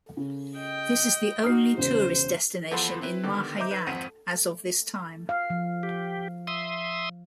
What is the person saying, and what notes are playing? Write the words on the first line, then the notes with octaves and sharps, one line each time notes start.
This is the only tourist destination in Mahayag as of this time.
C#3
D#5 G5
D#4 F#4 D#6 F6 C7
E1 C#3 C5
E2 F3 A4 F#5 B5 C6
C4 E4 B4
D3 D#3 B3 G4
C5 D#5 E5 A#5 D6 G6
D#4 B4
G#1 F2 C4 F#5 B6 D#7
F5
F3
G4
E5 C6 D#6